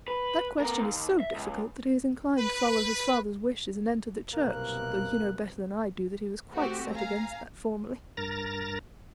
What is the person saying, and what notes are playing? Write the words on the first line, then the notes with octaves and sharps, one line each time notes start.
That question is so difficult that he is inclined to follow his father's wishes and enter the Church, though you know better than I do that he was quite set against that formerly.
B4
B3 A#4
D#2
E5
C#2
B4
C2 F#2 B2 A#3 F#6
A3 C4 F#4 G4
F5 G#5 A#5
G2 A#4 A#5 A6 A#6